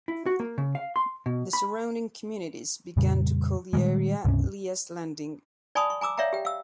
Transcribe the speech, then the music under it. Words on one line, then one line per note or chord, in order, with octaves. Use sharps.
The surrounding communities began to call the area "Lea’s Landing".
E4
F#4
A#3
C#3
F5
C6
B2
B5
F2 A#2 C#3 G3
A#2 D#3 G3 G#3
C#2 G2 C3 C#4
D5 G#5 A5 B5 C#6 D#6
C#6
G#5 A#5 D6 E6
C#5 D5 E5 F5 G5 A#5
G4 G5
F5 E6